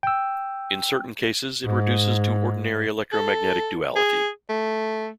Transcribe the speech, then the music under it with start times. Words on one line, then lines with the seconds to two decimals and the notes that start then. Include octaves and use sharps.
In certain cases it reduces to ordinary electromagnetic duality.
0.03 G5 E6
1.65 G#2
3.13 A4
3.96 G#4
4.49 A3